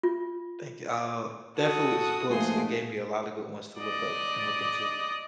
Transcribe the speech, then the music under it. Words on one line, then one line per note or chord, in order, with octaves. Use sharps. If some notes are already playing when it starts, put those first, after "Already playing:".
Thank you, I'll definitely, these books, you gave me a lot of good ones to look up and look into.
F4
F#4 A4 D#6
G#2 F3 A3 A#3 G#4 C6
D5 D#5